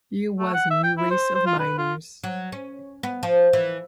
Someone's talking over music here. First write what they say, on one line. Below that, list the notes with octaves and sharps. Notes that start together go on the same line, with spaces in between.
Here was a new race of miners.
A3
F#5
E5
G5
E4
C5
C5
F4
B4
F4
F#3
C#4
B3
F3
E3